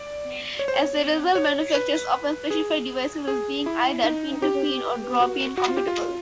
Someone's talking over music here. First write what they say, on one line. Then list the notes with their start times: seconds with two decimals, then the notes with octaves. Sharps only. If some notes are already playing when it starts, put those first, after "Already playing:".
As a result, manufacturers often specify devices as being either "pin-to-pin" or "drop-in" compatible.
Already playing: D5
0.59 C#5
0.68 C5
0.76 C#5
1.35 C#5
1.74 B4
2.50 G#4
3.28 G#4
3.66 E4
4.04 D#4
4.42 G4
5.20 F#4
5.57 F#4
5.68 F4
5.77 G4
5.87 F4